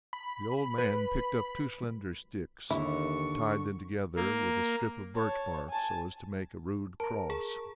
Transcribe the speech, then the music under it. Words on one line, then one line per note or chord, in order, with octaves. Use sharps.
The old man picked up two slender sticks and tied them together with a strip of birch-bark, so as to make a rude cross.
B5
B4
D#2 D3 E4 C#6
A#3
C#5 A5
G#5 A5
A#4 A5 A#5
G#4